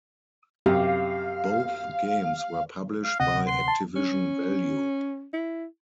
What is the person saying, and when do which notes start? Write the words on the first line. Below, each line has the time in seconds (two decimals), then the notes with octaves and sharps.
Both games were published by Activision Value.
0.66 F#2 C3 G4 F5
3.04 F5
3.20 D2 C3 D#5 F#5
3.47 C6
3.68 A5
3.96 C#4
5.33 E4